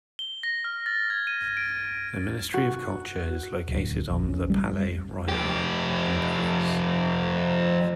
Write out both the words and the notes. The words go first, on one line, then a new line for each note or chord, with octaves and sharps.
The Ministry of Culture is located on the Palais Royal in Paris.
G7
A#6
F6
A6
G#6
D#7
D7
F#4
D1
A#1
C#4
G3
F2 G4